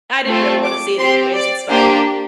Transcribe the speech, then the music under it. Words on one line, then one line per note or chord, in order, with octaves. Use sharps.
I didn't really wanna see it anyways, it's fine."
A3 C4 F4 A4
D6
C4 G4 C6
D5
A#3 D4 G4 C5